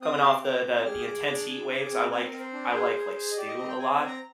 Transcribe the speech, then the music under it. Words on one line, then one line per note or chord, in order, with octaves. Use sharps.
coming off the the the intense heat waves, I like I like, like, stew a lot
C4 D#6
D6
G4 C6
C4 D6
G4
G#4 F6
D#6
G#4 D6
D4 D6
G#4
G#4
C4
C4 G#5
A#4
C4
C5
D4
G#4
G#4
G#4
D#5
G4 D5
D#5
C4 D#5
G5
C4 G#5
G#5
C4
A#5